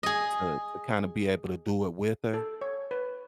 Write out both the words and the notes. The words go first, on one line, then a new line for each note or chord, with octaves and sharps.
to to kinda be able to do it with her,
G#4 D#5
A4
C#5
B4